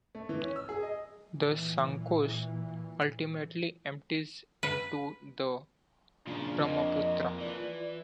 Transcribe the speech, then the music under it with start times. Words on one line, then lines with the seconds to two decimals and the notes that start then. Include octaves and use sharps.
The Sankosh ultimately empties into the Brahmaputra.
0.15 A3
0.29 E3
0.43 C#4
0.56 E6
0.69 G#4
0.83 D#5
1.34 A#2 E3
4.63 B4
6.27 A#2 C#3 F3 D4 F4
6.59 F2 F3 A#3 D#5
7.40 E3 F4 D5